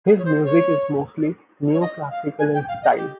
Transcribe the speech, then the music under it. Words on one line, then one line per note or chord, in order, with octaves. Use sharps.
His music is mostly neoclassical in style.
G#4
C#5
C5
C#5
C#5
D#5
F5
G#5
G5
F5
D#5
G#4
G4